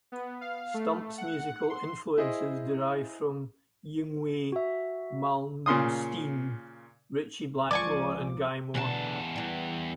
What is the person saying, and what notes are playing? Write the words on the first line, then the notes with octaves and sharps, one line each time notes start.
Stumps' musical influences derive from Yngwie Malmsteen, Ritchie Blackmore and Gary Moore.
B3
F5
A3
F#5
C6
E4 G#4 C5 D#5
F#4 E5
A#2 C#3 C6 D#6
C#2 F3 D5 G#5 C#6 D6
E2 B2 D3 F#4 A5
E3 G3